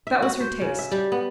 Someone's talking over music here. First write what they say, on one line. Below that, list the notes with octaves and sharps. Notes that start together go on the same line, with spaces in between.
That was her taste.
E5
F#4
C5
C#3
E5
G3
B3